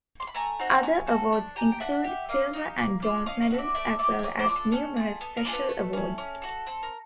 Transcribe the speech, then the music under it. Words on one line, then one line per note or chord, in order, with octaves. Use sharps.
Other awards include silver and bronze medals, as well as numerous special awards.
C6
B5
A3 G#5 A#5
C4 D#4 F#4
C#4
F#4 A4
D4
G4 G#5 A#5
G5
D4 E5 F#5
G4
A#3 D#5 F5
D#4 G4
A#3
D4 F4
C#4 D#5 F5
D#5 F5
F#4 A4
D5 E5
A3 D5 E5
D4 G4 D5 E5
E5
A#3 C#5 D#5
C5 D5
D4 F4
A4
C#4 A4
F4 G#4
B3 A4
A#4
D4 F4 G#4
A4 B4
A3
C#4 E4
C#4
F#4 A4
C4 A4
A#4